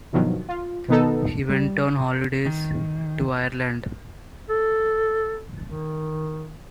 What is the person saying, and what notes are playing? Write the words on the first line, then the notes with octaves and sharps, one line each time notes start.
He went on holidays to Ireland.
G2 B2 D#3 F3 F#3
F4
B2 D#3 B3 D#4 A4
G3
D#3
A4
D#3